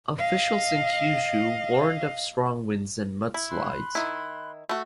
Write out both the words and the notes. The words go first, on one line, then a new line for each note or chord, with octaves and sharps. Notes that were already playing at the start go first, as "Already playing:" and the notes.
Officials in Kyushu warned of strong winds and mudslides.
D#5 F5
E4
B5 C6 F#6
D#3 E4
A3 F#4